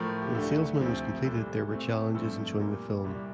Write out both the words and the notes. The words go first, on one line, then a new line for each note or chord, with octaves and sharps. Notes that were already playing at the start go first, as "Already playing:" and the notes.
When "Salesman" was completed, there were challenges in showing the film.
Already playing: A2 F3 A3 A#4
G4
D2 D3 A3 A4
D2 C3 F3 C4
C2 A#2 G3 A4
A#2 A3 C4
G2 F3 A3 C4 A4
A#2 G3 A#3
C2 A#2 G3 G4